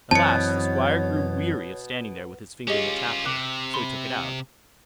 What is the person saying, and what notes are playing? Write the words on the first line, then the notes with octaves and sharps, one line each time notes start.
At last the Squire grew weary of standing there with his finger in the taphole, so he took it out.
F#2 B2 E3 C4 C#5 A5 C#7
C#4 F4 G4 G#4 D#5
C3 D6 F#6
B5 C6